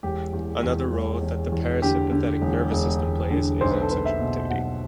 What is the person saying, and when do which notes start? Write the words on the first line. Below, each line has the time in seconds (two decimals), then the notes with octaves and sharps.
Another role that the parasympathetic nervous system plays is in sexual activity.
0.03 E1 G4
0.33 E2
0.63 E2
0.93 E1
1.22 E1
1.52 E2
1.82 D3 G4
2.12 D3
2.42 E1
2.71 E1
3.01 E1
3.31 D3
3.61 B1 C5
3.71 B4
3.81 A4
3.91 B1 B4
4.05 E5
4.20 B2
4.50 B1 F#5